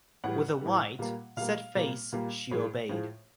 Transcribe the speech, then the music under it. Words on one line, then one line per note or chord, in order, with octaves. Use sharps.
With a white, set face she obeyed.
A2 E3 G3 F#5
A2 E3 G3
A#2 G3 A#3
A#2 G3 A#3 F5
A#2 G3 A#3
A#2 G3 A#3
A2 F3 G#3
A2 F3 G#3